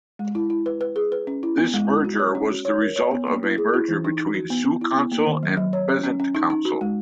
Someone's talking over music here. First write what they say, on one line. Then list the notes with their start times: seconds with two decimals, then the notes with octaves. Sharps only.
This merger was the result of a merger between Sioux Council and Pheasant Council.
0.19 G#3
0.35 E4
0.50 E4
0.66 B4
0.81 B4
0.96 G#4
1.12 B4
1.27 C#4
1.43 E4
1.58 B3
1.73 G#3
1.89 E4
2.04 F#4
2.19 C#5
2.35 C#4
2.50 F#4
2.65 C#5
2.81 A#4
2.96 C#5
3.11 B3
3.27 A#3
3.43 E4
3.58 G#4
3.74 E4
3.88 E3
4.05 D#4
4.19 D#4
4.34 F#4
4.50 B3
4.65 B3
4.81 E4
4.96 B3
5.12 A#3
5.27 D#3
5.43 F#3
5.57 F#3
5.73 C#5
5.88 C#4
6.04 C#4
6.20 C#4
6.35 D#4
6.50 D#4
6.65 F#4
6.81 G#3